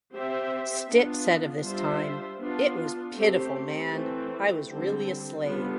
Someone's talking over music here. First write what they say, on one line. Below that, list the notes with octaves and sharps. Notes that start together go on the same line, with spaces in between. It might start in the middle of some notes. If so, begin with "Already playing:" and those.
Stitt said of this time: It was pitiful, man...I was really a slave.
C4 G4 C5 E5
B3 D4 F4
G3 D4 F4 C5 E5
B3 D4 F4
A3 C4 G4
E3 A3 C4
D3 G3 C4
D3 G3 B3 F4